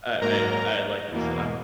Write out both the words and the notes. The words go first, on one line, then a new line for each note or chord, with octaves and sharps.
I I I like I said, "I'm
G#2 F#3 A#3 A#4 A#5
E2 B2 A#3